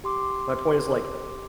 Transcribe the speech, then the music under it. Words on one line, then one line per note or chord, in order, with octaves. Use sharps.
my point is like,
G4 C6 D6